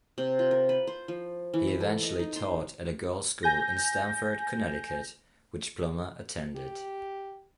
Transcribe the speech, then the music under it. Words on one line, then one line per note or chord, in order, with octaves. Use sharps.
He eventually taught at a girls school in Stamford, Connecticut, which Plummer attended.
C3
F4
A#4
B4
C5
F3
E3
E5
A4
D#5
D#4
C6
G#5 G6 A#6
G4